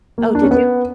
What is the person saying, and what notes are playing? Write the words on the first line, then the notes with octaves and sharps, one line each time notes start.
Oh, did you?
A#3
D4
C#4
B3